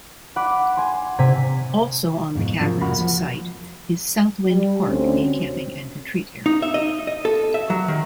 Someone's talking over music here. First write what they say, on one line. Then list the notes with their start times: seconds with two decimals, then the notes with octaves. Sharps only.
Also on the cavern's site is "Southwind Park", a camping and retreat area.
0.36 F#5 B5 D6
0.77 G#5 C6
1.19 C3 G#6 B6 D#7
2.35 F2 G#2 B2
2.60 C#3 F3 F#3 A#3
2.81 C2 F2 A#3 F4 F#4 B5
3.00 F3
4.48 G3
4.88 D2 C4 C#4
6.46 D#4
6.62 E5
6.74 D#5
7.07 D#5
7.25 A4
7.54 E5
7.70 F#3
7.88 D#3